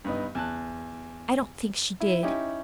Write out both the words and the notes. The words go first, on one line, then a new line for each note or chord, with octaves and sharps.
I don't think she did.
G2 B3 D#4
E2 A5 F#6
E4
C#4 D#4 E4 G4